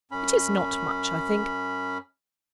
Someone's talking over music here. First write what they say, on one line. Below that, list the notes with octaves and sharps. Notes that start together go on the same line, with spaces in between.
'It is not much, I think.
F#2 C#4 B5